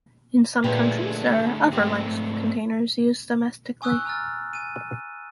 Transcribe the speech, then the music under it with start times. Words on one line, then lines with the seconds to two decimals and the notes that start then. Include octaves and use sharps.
In some countries there are other lengths of containers used domestically.
0.64 A#2 D3 A3 G4 G#4 B4
1.73 G#2 A3 C4 G4
3.82 G#5 C#6 D#6 E6 F#6
4.05 G#5 A#5 E6 F6 A6
4.53 G#5 D#7